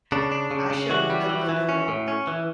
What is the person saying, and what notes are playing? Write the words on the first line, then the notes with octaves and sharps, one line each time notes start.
I showed them the door.
C#3 D4
D4
C#3
C#3
E3 F#4
G3
E3
E3
C#4
A2
C#4
E3